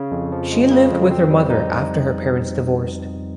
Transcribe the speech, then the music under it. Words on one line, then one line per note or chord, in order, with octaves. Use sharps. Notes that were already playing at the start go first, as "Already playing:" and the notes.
She lived with her mother after her parents divorced.
Already playing: C#3
F2
F3
G#3
C#3
F2
C4
G3
D#4